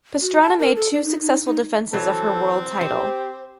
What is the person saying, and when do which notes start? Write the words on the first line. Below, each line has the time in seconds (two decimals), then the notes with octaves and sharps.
Pastrana made two successful defenses of her world title.
0.22 F#4
0.41 A5
0.59 A#4
0.76 A4
0.94 D5
1.05 D#4
1.21 D#4
1.46 D#4
1.93 E3 F#3 C4 A4
2.81 G4 C5